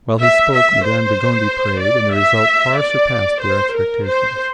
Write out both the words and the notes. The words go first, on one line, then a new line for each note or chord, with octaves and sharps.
While he spoke, Madame de Gondi prayed, and the result far surpassed their expectations.
E5
E5
C5
D5
E5
D5
C5
A#4
C5